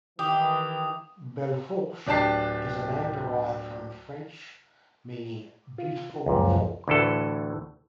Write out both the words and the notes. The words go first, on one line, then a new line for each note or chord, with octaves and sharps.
Belle Fourche is a name derived from French meaning "beautiful fork".
D#3 E3 G4 D6 D#6
D1 D4 G4 A5 C7
F4
C#2 F#2 A#2 F3
D2 A2 E3 A4